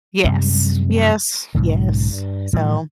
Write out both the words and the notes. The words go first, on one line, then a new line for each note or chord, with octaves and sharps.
Yes, yes, yes. So
F#2 C3 G3 G#3
B1 G#2 C#3
G2
A2 E3 G3